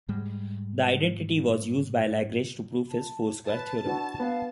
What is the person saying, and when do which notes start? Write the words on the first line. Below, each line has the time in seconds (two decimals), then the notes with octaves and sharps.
The identity was used by Lagrange to prove his four square theorem.
0.09 G#2 G3 G#3
2.90 A5
3.45 B4 A5
3.86 D4 E4 F#4 B4
4.20 B3 F5